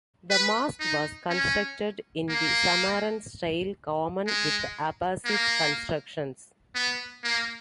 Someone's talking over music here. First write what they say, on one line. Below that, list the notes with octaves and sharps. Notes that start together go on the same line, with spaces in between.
The mosque was constructed in the Samarran style common with Abbasid constructions.
B4
D#4
C#4
A#3
G#3
A#3
B3
A#3